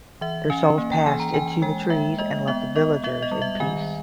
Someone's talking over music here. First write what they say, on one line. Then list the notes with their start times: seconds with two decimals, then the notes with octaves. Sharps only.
Their souls passed into the trees and left the villagers in peace.
0.21 E3 E5
0.50 C#4 G#5
0.78 A#3
0.92 G5
1.06 E3 G#5
1.20 A#5
1.34 E3 G#5
1.62 G#3 G5
1.90 G#3 E5
2.18 G#3 D#5
2.48 B3 E5
2.75 B3 D#5
3.04 B3 E5
3.22 D#5
3.32 G3
3.42 E5
3.60 D#3 G#5